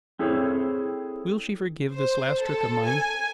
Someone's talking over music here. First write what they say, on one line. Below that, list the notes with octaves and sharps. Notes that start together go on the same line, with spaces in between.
Will she forgive this last trick of mine?
C4 E4 G#4 A4 C5 C#5
C5
A4
G#5